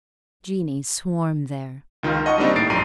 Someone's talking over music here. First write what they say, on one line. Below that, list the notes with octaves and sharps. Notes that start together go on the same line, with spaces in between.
Genii swarm there.
C#2 D#3 F4 A#4
D#5 F#5 A5 C#6
G3 A#3 C4 D4 D#4 G4
A2 A6 C7 D7
A#1 F#2 A#5 C7 D#7